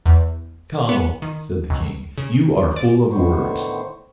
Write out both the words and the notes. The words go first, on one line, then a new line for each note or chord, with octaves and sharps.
Conall," said the king, "you are full of words.
E2
B3
D#3
C#2
C#3
D5
A2 D3 D#3 B3 C5 C#6